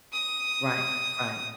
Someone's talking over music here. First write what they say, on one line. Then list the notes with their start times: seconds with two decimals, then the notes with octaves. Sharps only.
Right, right.
0.13 D#6